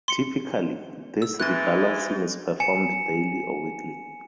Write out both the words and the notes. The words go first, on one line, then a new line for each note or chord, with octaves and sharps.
Typically, this rebalancing is performed daily or weekly.
C6 C#7
E6
G#2 E3 F#6 A6
G#5 C#7 E7